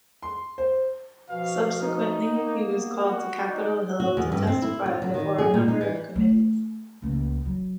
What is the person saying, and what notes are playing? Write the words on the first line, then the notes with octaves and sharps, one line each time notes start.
Subsequently, he was called to Capitol Hill to testify before a number of committees.
C6
C5
B2 F3 F#4 F5
D#4
A#3 B3
F#4
D#4 D5
F#4
E2
G2
C4
E4
F4
F#3
D#3
G#4
A#2
D#4
E3
A3
C#2 A#3
F#3